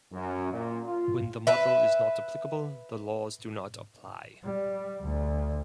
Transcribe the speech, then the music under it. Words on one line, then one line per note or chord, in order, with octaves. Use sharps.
When the model is not applicable, the laws do not apply.
F#2
A#2
F4
B4 E5
G3
D2